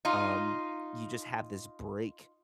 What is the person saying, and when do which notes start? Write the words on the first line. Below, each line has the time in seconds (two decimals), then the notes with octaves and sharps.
um, you just have this break
0.05 D#4 F4